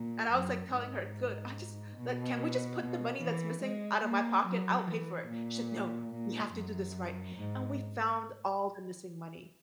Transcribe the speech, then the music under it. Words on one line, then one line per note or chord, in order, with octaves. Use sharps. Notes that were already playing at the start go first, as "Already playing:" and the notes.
And I was, like, telling her, "Good, I just like, can we just put the money that's missing out of my pocket? I will pay for it." She like, "No, we have to do this right." And we found all the missing money.
Already playing: A#2
F#2
G#2
B2
B2
E3
G#3
A#3
F#3
E3
A#2
A#2
F#2
G#2